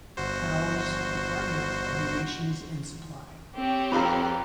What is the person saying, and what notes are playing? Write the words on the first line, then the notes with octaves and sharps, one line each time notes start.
Howe's Department of Munitions and Supply.
G1 F#4 C5
C4 G4 C#5
F2 B4 F5 A#5